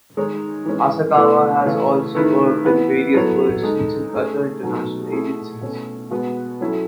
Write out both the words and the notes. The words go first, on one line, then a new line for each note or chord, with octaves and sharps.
Asakawa has also worked in various positions in other international agencies.
D#3 G#3 D#4 G#4 C#5
E3 G#3 C#4
B2 A3 E4 B4
C#3 E3 A3
D#3 A3 E4 B4
E3 B3 E4 B4
F#3 B3 E4 A4 C#5
G#3 D#4 A4
A3 C#4 G#4
B2 F#3 A3 D#4
A3 E4 G#4
B2 A3 C#4
B2 G#3 B3 F#4 B4
F#3 C#4 E4 A4